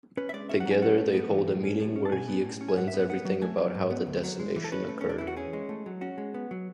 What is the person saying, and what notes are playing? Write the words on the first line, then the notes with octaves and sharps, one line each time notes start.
Together they hold a meeting where he explains everything about how the Decimation occurred.
C#4 B4
E5
G#3 D5
C#4 E5
F#5
F#3
G#5
C#4 F#5
A3
B3
E3
A2
C#4
A2
C#4
A5
B2 G#5
B3
A2
C#4
G#5
G#2 F#5
E5
B3
F#5
B3 F#5
F#3
A3 G#5
F#3
G#2
B3
D2
F#3
G#3
E3
A4
C#4 B4
A3
E2 C#4
D4
E3 E4
F#4
C#4 G#4
G#3
A3
F#3
C#4 F#4
G#3
B3
F#3